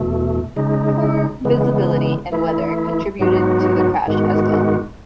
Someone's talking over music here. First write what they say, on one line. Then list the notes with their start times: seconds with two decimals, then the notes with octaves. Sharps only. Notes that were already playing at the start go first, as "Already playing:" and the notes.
Poor visibility and weather contributed to the crash as well.
Already playing: E2 B2 A3
0.56 C#3 G#3 D#4
1.44 C#3 E3 G#3 B3
2.32 E3 A3 E4
3.19 G#2 F#3 B3 D#4 F#4
4.07 G#2 D#3 G#3 B3 F#4